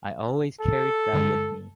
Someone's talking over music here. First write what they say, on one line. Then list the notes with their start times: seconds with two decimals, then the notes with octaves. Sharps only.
I always carried that with me.
0.61 A4
1.13 G2 D3 G#3